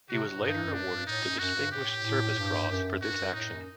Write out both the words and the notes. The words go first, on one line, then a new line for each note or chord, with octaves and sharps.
He was later awarded the Distinguished Service Cross for this action.
C3 F#4
A2
G2 D#4
F#2
D4
G2
A2 D#4
F#2
F#2 F#4
G2
A2 G4
A2
G2
F#2
G2 F#4
F#2
A2 D#4
F#2